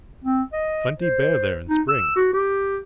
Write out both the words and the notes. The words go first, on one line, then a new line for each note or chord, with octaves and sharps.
"Plenty bear there in spring!"
C4
D#5
C5
D#4
E6
F#4
G4